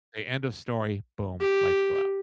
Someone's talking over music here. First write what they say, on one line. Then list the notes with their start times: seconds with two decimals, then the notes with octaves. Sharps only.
Say, end of story, boom, lights go out.
1.40 G4